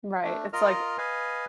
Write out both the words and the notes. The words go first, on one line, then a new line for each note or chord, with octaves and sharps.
Right, it's like
A3 D4
F4 A#4 D#5 F6
B4 D#5 F5 G#5